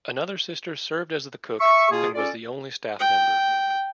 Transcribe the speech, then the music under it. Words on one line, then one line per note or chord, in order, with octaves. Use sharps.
Another sister served as the cook and was the only staff member.
E5 C#6
B2 A#3 F4 G#4
C#4 F4 A4 D5
G5